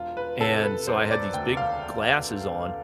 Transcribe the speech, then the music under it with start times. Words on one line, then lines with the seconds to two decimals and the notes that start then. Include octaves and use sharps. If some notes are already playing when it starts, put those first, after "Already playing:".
And so I had these big glasses on.
Already playing: E1 F4
0.17 B4
0.40 C3 A4
0.63 B4
0.87 E1 C5
1.11 D5
1.34 D2 G5
1.57 F5